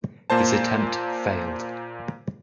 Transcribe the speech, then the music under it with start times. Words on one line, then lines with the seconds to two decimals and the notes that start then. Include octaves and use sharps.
This attempt failed.
0.30 A#2 A#3 C5 A5